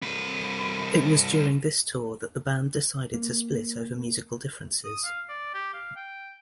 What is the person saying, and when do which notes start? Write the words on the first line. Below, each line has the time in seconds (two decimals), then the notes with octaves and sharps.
It was during this tour that the band decided to split over musical differences.
0.02 C2 B4
3.14 A#3
4.85 D#6
5.04 F5
5.29 D5
5.54 G4
5.74 F5
5.96 G5